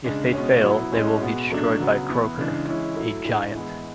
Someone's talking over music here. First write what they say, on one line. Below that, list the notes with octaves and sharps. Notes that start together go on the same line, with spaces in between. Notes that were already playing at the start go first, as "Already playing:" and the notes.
If they fail, they will be destroyed by Croker, a giant.
C#3 G#3 D4
B2 G#3 C#4
F#3 B3 E4
A2 G#3 C#4
B2 G#3 B3
B2 F#3 A3 D4
C#3 F#3 B3
E3 B3 E4
C#3 E3 G#3 D4
E3 G#3 C#4 E4
F#3 A3 E4
A2 G#3 D4
E3 G#3 B3 E4